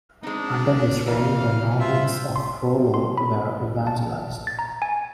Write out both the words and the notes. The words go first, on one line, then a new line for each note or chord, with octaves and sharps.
Under his reign the Normans of Rollo were evangelized.
G#3 B3 C4 D4 D#4
F2 E3 D#4 F5
G3 D4 F4 C5 E5
C6
C6
B5
A5
A6
A#5
G#5